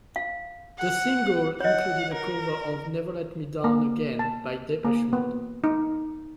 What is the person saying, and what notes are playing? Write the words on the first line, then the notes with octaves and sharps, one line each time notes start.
The single included a cover of "Never Let Me Down Again" by Depeche Mode.
F5
F#5
C#5 D#5 F#5
A#4
A#3
A5
A#3
B3
D#4